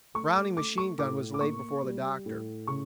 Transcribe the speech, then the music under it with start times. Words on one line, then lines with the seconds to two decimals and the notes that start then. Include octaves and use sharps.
The Browning machine-gun was laid before the doctor.
0.15 A3 C#6
0.36 D6
0.57 A3 D6
0.78 C#6
0.99 A2 D6
1.34 D6
1.41 A#3 C#6
1.83 G3
2.26 A2
2.67 C#3 C#6